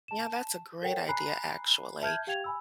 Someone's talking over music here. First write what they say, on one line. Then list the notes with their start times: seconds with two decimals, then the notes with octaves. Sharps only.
Yeah, that's a great idea, actually.
0.08 A5 E7
0.82 A4 A#4 C#5 F#5 G5
1.09 G#5 A#5 B5 F#6 C7
2.01 E5 A5 F6 G6 G#6
2.27 G4 F5 G5 G#6 F7
2.44 G#5 B5 E6